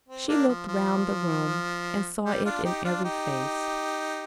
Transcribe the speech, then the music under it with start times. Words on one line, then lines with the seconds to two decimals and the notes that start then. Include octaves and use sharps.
She looked round the room, and saw it in every face.
0.09 C4
0.28 A#3 D4
0.48 F3
0.68 F3
2.26 G3
2.45 D4 F4
2.65 D#4 G4
2.84 D4 F4
3.04 D#4 G4